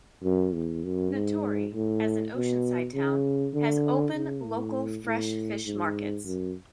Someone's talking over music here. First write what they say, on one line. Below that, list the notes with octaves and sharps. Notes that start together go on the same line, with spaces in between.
Natori, as an oceanside town, has open local fresh fish markets.
F#2
E2
F#2
G#2
A2
B2
C#3
D3
C#3
A2
A2
G#2
F#2